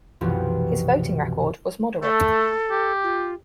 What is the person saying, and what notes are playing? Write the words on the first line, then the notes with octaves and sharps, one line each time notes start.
His voting record was moderate.
C2 F#2 B2 E3 F3 B3
A3 A4
G4
F4